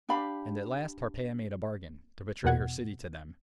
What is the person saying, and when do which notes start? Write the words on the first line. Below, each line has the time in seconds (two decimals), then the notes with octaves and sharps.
And at last Tarpeia made a bargain, to betray her city to them.
0.09 D4 G4 F5 B5
2.44 E2 B2 F#5 G#6